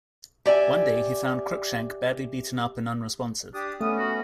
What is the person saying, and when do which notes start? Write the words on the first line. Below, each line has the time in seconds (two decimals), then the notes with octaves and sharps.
One day he found Crookshank badly beaten up and unresponsive.
0.46 G4 D5 E5 G#5
3.54 D4 G4 D#6
3.81 A3 B3 C#4 D#6
3.98 F#4